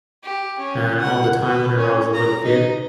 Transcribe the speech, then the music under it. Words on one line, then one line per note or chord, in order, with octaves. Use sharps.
uh, all the time whenever I was a little kid,
G4
C#4
F#5
B4
C#4
A#5
D#4